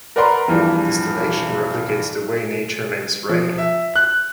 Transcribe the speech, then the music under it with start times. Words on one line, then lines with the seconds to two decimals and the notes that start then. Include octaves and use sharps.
Distillation replicates the way nature makes rain.
0.16 A#4 B4 D5 F#5 A#5 C6
0.48 E2 G2 E3 F3
3.29 F3
3.58 E5
3.96 F#6